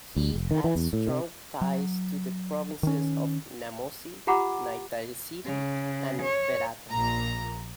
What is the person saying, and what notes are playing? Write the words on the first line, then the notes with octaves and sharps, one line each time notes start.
He had strong ties to the Provinces of Namosi, Naitasiri, and Verata.
D2
F1
D#3
E3
E2
A2
C3
F#3
D#3 C#4
F4 G4 F#5 A#5 B5 D6
C#3
C#5
A#1 A#2 A#5